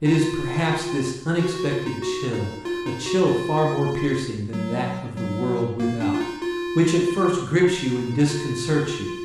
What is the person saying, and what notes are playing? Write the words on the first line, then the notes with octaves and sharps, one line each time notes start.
It is perhaps this unexpected chill, a chill far more piercing than that of the world without, which at first grips you and disconcerts you.
D#4
F4
F#4
F#4
F4
D#4
F#4
D#4
F4
D#4
F#4
F4
F#3
F#3
A#3
D4
F4
D#4
F4
D#4
D#4
F4